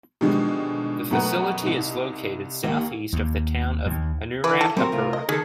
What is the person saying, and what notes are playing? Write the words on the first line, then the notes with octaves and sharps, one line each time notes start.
The facility is located southeast of the town of Anuradhapura.
B2 D3 D#3 F3 G3 G#3
F#2 B2 A3 B4 F#5 A#5
C2 D#4
D#2 A#3
D#2
D#2
E3 B4
A4
G3 C4 F#4 A#4
C2 A3 F4
D#5
D#3 G#4 A4